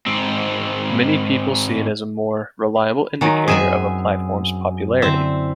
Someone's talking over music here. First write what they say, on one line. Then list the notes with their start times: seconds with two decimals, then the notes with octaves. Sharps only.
Many people see it as a more reliable indicator of a platform's popularity.
0.06 G#2 C4
2.76 B5
3.21 D#3 F#3 G#5
3.48 F#2 C4 G#4 A#4 E5 G#5
5.02 D3 C4 E4 E5